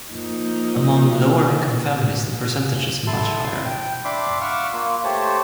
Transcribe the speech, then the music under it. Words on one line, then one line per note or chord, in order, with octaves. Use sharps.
Among lower income families the percentage is much higher.
F3 A#3 D#4
E4 A4 A5 C6
G5
D4 E5 B5 C6 D6
F5 F#5 C#6 D6 E6 F6
A#3 F4
A3 G4 C5 C#5 A5